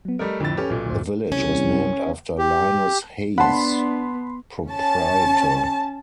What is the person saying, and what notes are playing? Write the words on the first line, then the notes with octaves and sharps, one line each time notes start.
The village was named after Linus Hayes, proprietor.
F#3 B3
G3 A3 A#4 D#5
F2 A2 D3 A6
C#4 G4 A4 B4 F6
B1 A#2
G#2 C5
C2 C#4
G4
B3 D4 F#5 A5 B5 C6
C#4 A5